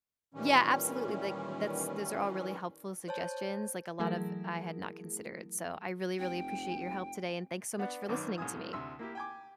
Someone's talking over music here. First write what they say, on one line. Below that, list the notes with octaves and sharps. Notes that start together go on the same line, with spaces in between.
Yeah, absolutely, like, that's those are all really helpful suggestions, like, a lot of I had not considered, so, I really, really appreciate your help today, and thanks so much for listening to me.
A#2 D#3 E3 G3 C#4
C5 C#5 A5
E3 F#3 A3 E4 G#4 A#4
F1 G5
B3 D4 F#5
G#1 F#2 D#3 C#4 B4 D6
C2 A2 C3 G#5 D#6
D2 C3 E5 C6 E6
A#3 E4 G4
G5 G#5 D6